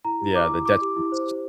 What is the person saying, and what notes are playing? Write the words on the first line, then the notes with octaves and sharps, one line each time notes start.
Yeah, the detriments
E4 A#5
G4
E4 D6
E4
E4 D6
G4
E4
C5
G4